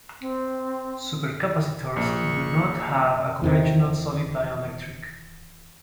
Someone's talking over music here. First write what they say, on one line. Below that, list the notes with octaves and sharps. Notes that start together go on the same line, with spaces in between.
Supercapacitors do not have a conventional solid dielectric.
C4
A#1 C#6
E2 C3 D#3